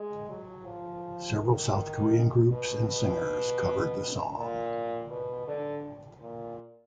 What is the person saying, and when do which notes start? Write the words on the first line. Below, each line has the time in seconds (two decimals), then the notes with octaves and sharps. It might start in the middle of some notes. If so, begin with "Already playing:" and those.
Several South Korean groups and singers covered the song.
Already playing: G#3
0.29 F#3
0.66 F3
1.40 D#3
2.51 B2
2.88 B2
4.36 A#2
5.10 B2
5.47 D3
6.21 A#2